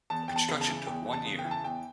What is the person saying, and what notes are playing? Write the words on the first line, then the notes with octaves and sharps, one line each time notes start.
Construction took one year.
E2 A5
E2 G5
A5
C#3
A5
E3
E2 G5
E2
A5
C#3
G5
E3
A5
E2 G5